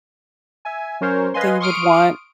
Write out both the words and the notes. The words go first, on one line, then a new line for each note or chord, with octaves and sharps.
that you would want?
E5 G#5
F#3 C#4 A#4 C5 C#5
B4 D#5 F5 G#5 C6
C6 C#6 D#6 F6 D7